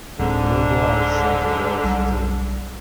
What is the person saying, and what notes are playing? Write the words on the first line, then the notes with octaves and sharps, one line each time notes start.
Uruguay sent a youth team.
D1 G#2 D3 C4
B1 G3